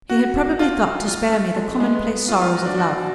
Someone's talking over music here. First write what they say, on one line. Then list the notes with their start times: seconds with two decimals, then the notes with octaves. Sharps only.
He had probably thought to spare me the commonplace sorrows of love.
0.10 F#4
0.59 F4
1.07 F4
1.32 A3
1.56 G#3
1.69 A3
1.80 G#3
1.93 B3
2.05 B3
2.28 F4
2.41 F4
2.54 F#4
2.65 D4
2.78 F#4